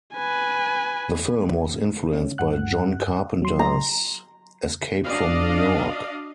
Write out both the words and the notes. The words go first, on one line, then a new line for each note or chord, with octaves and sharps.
The film was influenced by John Carpenter's "Escape from New York".
B4 G#5
C#4
G2 F#5 F#6
F#3 C6
A#5
D4 F#4 D5 D#5 F5